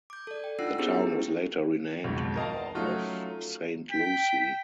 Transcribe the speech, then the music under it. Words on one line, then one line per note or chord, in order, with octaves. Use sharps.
The town was later renamed in honor of Saint Lucy.
D6 G6
A4 D5
G5
D4 D#4 F4 F#5 E6 C7
B3 C#4 E4 G4 G#4 C5
B1 F2 G#2 D#3
A#4 D#5 F5 A5
F#3 A3 C#4 D#4 F4 F#4
G5 B6